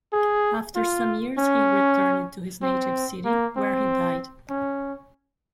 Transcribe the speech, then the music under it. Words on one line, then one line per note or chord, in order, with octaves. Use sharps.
After some years he returned to his native city, where he died.
G#4
F4
C#4
C4
A#3
C4
C#4